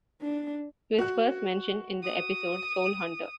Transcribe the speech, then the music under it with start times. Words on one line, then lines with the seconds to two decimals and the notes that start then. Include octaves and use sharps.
He was first mentioned in the episode "Soul Hunter".
0.22 D4
0.98 F#4 F#6
2.03 D#6